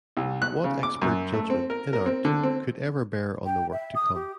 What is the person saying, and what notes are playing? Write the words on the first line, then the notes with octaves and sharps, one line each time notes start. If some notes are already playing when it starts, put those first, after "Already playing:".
What expert judgment, in art, could ever bear on the work to come?
C2
F#6
C#3
D6
F#2
A3
C4
A#4
A#4
C4
D3
C4
G5
E5
D#6
G4